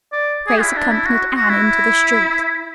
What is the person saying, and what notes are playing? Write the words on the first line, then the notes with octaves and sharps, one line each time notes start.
Grace accompanied Anne into the street.
D5
G#4
E4
D4
E4
F#4
F#4
E4